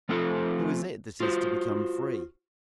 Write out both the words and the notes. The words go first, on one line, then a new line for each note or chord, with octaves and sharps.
Who is it that is to become free?
F3 A3 C4 F4 A4
F4 F#4 C5